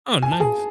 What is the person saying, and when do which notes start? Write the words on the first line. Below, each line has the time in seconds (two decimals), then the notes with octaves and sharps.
Oh, nice.
0.22 G#5
0.32 A5
0.40 G#4 G#5